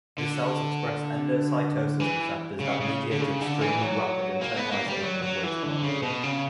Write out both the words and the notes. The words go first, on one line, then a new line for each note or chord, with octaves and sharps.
The cells express endocytosis receptors that mediate extremely rapid internalization of waste molecules.
D3
E3
C#3
C#3
D3
C#3
D3
E3
F#3
A#3
B3
A#3
G3
F#3
F#3
E3
D3
C#3
B2
C#3